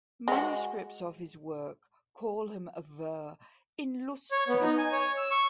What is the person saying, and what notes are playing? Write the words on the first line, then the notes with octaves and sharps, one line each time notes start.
Manuscripts of his work call him a "vir inlustris".
G#3 F#4
C#5
B3
D#4
G#5
C#5
E6
C#6